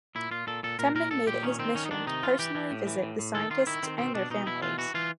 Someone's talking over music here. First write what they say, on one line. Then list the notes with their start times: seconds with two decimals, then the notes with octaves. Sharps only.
Temin made it his mission to personally visit the scientists and their families.
0.15 A#2 E4
0.31 A#2 F4
0.47 A#2 A4
0.63 A#2 A4
0.79 A#2 A#4
0.95 A#2 A#4
1.11 A#2 A4
1.27 A#2 G4
1.43 D#3 C#4
1.59 D#3 C4
1.75 D#3 C#4
1.86 D#4
1.91 D#3 D4
2.07 C3 D#4
2.23 E3 F4
2.39 E3 G4
2.55 E3
2.71 A2
2.87 E3
3.03 A2
3.19 A2
3.35 D#3 A4
3.50 D#3 F4
3.67 D#3 E4
3.83 D#3 C4
3.98 B2 C4
4.15 B2 D4
4.30 B2 D#4
4.46 B2 E4
4.62 E3 F4
4.78 E3 F#4
4.94 E3 F4